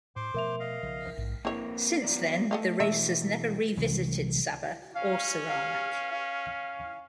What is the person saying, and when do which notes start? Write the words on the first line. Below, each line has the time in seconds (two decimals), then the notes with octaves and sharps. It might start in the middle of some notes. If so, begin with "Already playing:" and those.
Since then, the race has never re-visited Sabah or Sarawak.
0.16 A2 C5 C6 D6
0.34 B2 F3 A3 A#4 E5 F7
0.60 D#5 F5
0.83 B1 C#3 F3
1.17 A#1 G#2
1.45 A#3 C4 E4 C#5
2.02 F#3 B3 D5
2.51 A3 A4 D#5 F5
2.80 B2 E3 A3 E5
3.77 C2 E3 F#3 G#3
4.95 C#4 F5
5.49 F5
6.11 F5